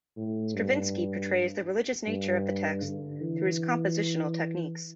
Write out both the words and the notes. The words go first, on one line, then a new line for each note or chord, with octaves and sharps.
Stravinsky portrays the religious nature of the text through his compositional techniques.
A2
G2
G2
D3
E3